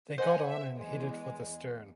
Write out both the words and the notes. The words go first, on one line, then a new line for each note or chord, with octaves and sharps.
They got on and headed for the stern.
C5 D#5 F#5 G#5
E5
E2 G#3